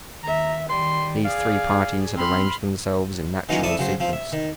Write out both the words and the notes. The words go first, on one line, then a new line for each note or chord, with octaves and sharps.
These three parties had arranged themselves in natural sequence.
D#2 E5 A#5
D#3 G3 C6
G#4 D5 F5
C4 B5 C6 F6
D#3 E3 F#3 A#3 C#4 F4
F2 A3 E4 D5 D#6
C#3 F#3 C5
F3 C4 F4
E5
D#3